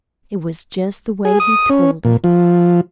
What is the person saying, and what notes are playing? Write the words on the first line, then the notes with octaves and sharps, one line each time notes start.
It was just the way he told it.
G#4
D#6
C#4
A#2
F3